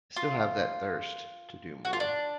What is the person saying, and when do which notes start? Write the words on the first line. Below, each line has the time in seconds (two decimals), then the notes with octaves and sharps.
still have that thirst to do more.
0.16 F4
1.85 F#4
1.93 F4
2.00 D4